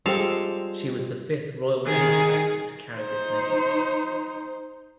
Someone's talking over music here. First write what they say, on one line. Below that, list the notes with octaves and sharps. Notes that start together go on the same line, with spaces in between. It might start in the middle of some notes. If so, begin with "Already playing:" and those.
She was the fifth Royal Naval vessel to carry this name.
G3 G#3 C4 F4 G4 A4 F5
D#3 G#4
D#4 C5